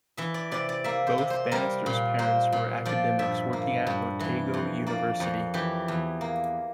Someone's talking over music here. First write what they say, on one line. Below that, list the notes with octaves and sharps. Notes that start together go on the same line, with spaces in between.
Both Bannister's parents were academics working at Otago University.
E3 E5
D5
C3 D5
D5
A#3 E5
C5
C3
C5
G3 A#4
A#2
A#3 C5
A#2
F3 D5
G2 E5
A#3
G2
E3
F2
A#3 D5
F2
E3 G4
E2
A#3